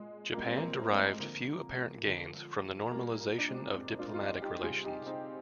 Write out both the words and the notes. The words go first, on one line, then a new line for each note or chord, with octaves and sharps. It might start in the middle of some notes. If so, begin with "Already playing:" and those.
Japan derived few apparent gains from the normalization of diplomatic relations.
Already playing: A#2 G#3
A#2 G3 A#3
C4
A#3
C4
A#3
G#3 C4
G#3
D3 F3 A#3
D3 F3
A#2 G3 A#3
A#3
D4
G#3 C4
A#2 G3
D4 F4
D#4
F4
D#4 G4
D#4 G4
C3 G3 F4 G#4
D#4 G4
C4 D#4